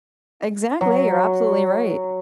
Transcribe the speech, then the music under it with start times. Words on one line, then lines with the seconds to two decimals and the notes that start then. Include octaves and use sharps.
Exactly, you're absolutely right.
0.81 F#3